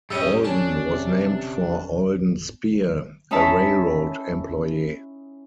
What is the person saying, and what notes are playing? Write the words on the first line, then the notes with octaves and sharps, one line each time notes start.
Alden was named for Alden Speare, a railroad employee.
G2 G3 C#4 D#5 E6
C#4 D4 A5
C3
C#4 D#4 E4 E5 A5